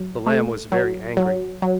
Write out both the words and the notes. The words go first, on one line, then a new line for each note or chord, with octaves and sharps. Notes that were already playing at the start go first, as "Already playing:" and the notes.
The lamb was very angry.
Already playing: F#3
A3
F#3
F#3
F#3